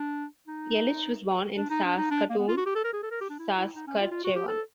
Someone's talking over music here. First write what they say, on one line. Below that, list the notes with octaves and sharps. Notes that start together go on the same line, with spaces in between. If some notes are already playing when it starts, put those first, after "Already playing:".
Yelich was born in Saskatoon, Saskatchewan.
Already playing: D4
D#4
D4
D#4
D4
D#4
D4
A#3
B3
F4
F#4
G4
A4
A#4
G#4
A4
A#4
G4
D4
E4
E4
D#4
C#4
F4
F4
F#4
G4
A4